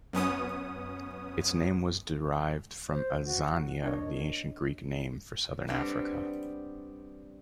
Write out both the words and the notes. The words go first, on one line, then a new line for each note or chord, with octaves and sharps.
Its name was derived from Azania, the ancient Greek name for Southern Africa.
F#2 B3 C#4 D#6
C5
F#4
D4 A#4 C#5 D#5
G3 B3 C4 D4